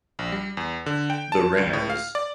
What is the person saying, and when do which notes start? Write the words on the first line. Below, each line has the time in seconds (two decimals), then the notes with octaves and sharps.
The ringers.
0.19 A#1
0.32 G3
0.57 E2
0.86 D3
1.10 G5
1.32 A5
1.58 C#2
1.73 A2
1.90 F5
2.15 D5